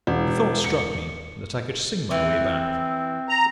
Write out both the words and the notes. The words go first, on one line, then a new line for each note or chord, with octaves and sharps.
The thought struck me that I could sing my way back.
E1
C#7
E3 C4
A#5